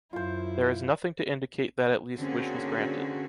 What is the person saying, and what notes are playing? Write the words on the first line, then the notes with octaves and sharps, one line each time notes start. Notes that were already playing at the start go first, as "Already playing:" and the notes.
There is nothing to indicate that at least wish was granted.
F#2 E4 F4 C5
D3 A#3 C4 C#4 F#4 G#4